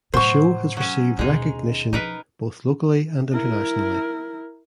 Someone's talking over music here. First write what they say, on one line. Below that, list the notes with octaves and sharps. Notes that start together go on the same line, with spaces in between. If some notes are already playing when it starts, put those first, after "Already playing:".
The show has received recognition both locally and internationally.
A2 C3 F#3 C5 C#6
F#3 C#4
D#2 B2 G#3 D#4
F3 D#4 A#4 B4
E4 A#4